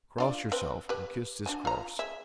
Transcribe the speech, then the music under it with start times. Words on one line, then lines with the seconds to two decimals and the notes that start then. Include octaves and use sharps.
Cross yourself and kiss this cross.
0.18 D4 F4 D5
0.52 C4 B4
0.89 G4 B4
1.46 D4 F#4 G#5
1.65 F4 A#5
1.99 G#4 E5